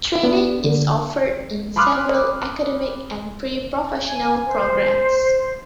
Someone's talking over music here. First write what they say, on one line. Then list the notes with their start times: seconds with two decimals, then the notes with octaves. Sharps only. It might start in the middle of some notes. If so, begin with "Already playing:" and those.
Training is offered in several academic and pre-professional programs.
0.23 B3 D4
0.64 D3
1.76 B5 C6 D6 D#6 F6 F#6
4.07 G#5
4.46 C5